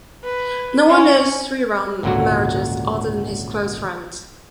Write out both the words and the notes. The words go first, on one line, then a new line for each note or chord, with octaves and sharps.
No one knows Sriram marriages other than his close friend.
B4
C#4
G#1 C#2 A#2 D3 F#3 F#4